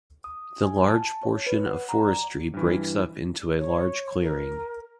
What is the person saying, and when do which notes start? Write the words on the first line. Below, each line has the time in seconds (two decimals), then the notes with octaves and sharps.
The large portion of forestry breaks up into a large clearing.
0.24 D#6
0.64 G#5
0.85 A5
1.23 C#5
1.47 B4
1.66 F#5
1.89 A#5
2.08 D5
2.54 G2 E3
3.58 C#5
4.22 A#4